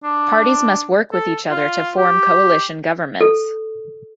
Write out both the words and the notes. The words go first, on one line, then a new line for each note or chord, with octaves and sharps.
Parties must work with each other to form coalition governments.
D4
A4
F4
G4
A4